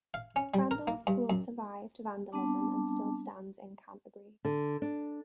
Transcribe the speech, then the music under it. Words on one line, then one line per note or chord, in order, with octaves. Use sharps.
Crandall's school survived vandalism and still stands in Canterbury.
F5
C#4
G3
A#4
A#3
G2
F#2
G3 B3 C4 D4 A5 D6
D3
D4